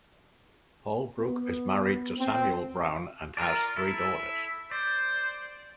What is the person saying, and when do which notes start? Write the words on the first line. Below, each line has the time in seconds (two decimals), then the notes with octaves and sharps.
Holbrook is married to Samuel Brown and has three daughters.
1.19 B3
2.19 C4
3.37 F4 A#4 D5
3.76 E4 A4 E5
4.71 C5 D5